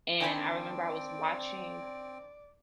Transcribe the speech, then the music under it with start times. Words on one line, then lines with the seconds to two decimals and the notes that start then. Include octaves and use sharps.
and I remember I was watching
0.20 D#3 C4 D4 D5 G5 G#5 B5